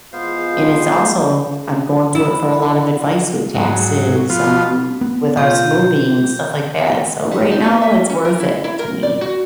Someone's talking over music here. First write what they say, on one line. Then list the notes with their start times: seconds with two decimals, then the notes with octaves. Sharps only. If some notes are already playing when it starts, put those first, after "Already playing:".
and it's also I'm going to it for a lot of advice with taxes, um, with us moving, stuff like that, so right now, it's worth it to me.
0.13 E2 G#3 B3 F4 C5 F5
2.15 E4
3.55 G#2 F#3
4.30 F3 B3 F4
5.01 B3
5.37 B2 F4 G6
7.31 G3
7.51 D#4
7.64 B3
7.82 E5
8.10 C#4
8.25 A#4
8.40 E4
8.64 E4
8.79 A#4
9.03 D5
9.21 F#4